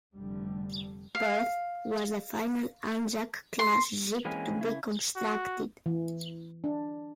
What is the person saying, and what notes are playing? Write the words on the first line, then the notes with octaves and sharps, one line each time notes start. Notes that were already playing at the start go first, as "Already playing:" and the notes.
"Perth" was the final "Anzac"-class ship to be constructed.
F1 D3 G3
F5
C6
E3 G#3 A#3 C4 C#4 G#4
C#3 E4
F#4
E3
D4